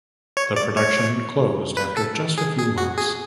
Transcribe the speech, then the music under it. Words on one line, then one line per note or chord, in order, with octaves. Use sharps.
The production closed after just a few months.
C#5
D5
C#5
B4
A4
G#4
G#4
F#4
G#4